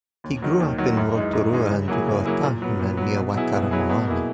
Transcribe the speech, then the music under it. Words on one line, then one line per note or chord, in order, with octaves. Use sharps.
He grew up in Rotorua and in Ruatahuna near Waikaremoana.
D#2
D#3 F#3
D#2
D#3 F#3
F#2
E3 G#3 D#4
F#2
E3 G#3 D#4
C#3
F#3 A#3 E4 G#4
C#3
F#3 A#3 E4 G#4
A#2
F#3 B3
A#2
F#3 B3
B2
F#3 B3 E4 G#4
B2
F#3 B3 E4 G#4
B2
A#3 E4 G#4